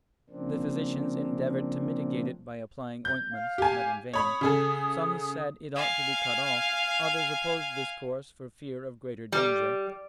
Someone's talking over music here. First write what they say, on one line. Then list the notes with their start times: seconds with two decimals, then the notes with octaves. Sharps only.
The physicians endeavoured to mitigate it by applying ointments, but in vain. Some said it ought to be cut off; others opposed this course, for fear of greater danger.
0.30 C#3 F3 A#3 C4 D4
3.05 G6
3.31 F5
3.58 G4 G#5
4.13 C#5 B5 D#6
4.41 C#3 G#4 A4
5.76 F5 G#5
9.32 G3